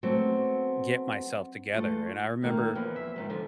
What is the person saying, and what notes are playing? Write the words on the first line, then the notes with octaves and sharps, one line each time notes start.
get myself together. And I remember,
F#3 A3 B3 C4 F#4
A3 F4
A2 D#3 A#3
E2 E3 F3
E5
F2 G#2 D#3
D3 F3